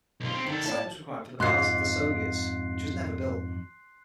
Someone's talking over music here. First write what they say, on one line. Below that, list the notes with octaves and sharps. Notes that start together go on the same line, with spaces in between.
The site was required for the Palace of the Soviets, which was never built.
B1 F4
C3 C4
D#3 A4 F#5
A2 C#5 D5 A5
F2 G#2 C6 F#6 C7